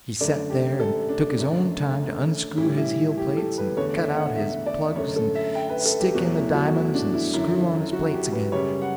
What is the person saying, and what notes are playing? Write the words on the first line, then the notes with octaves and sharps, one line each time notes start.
He set there and took his own time to unscrew his heelplates and cut out his plugs and stick in the di'monds and screw on his plates again.
F#2 D3 A3 D5
G4
A4
D4
F#2 D3 A3
A2 E3 G3 E4
E4
G4
A4
B4
E2 D3 A3 C#5
E5
F#5
E5
D5
F#2 D3 A3 C#5
A4
E5
G5
B4
A4
G4
E2 B2 F#3 A3 F#4
E4
F#4
E4
D4
E4
F#2 D3 F#3 E4
F#4
G4
B4
F#2 C#3 G3 C#5
F#5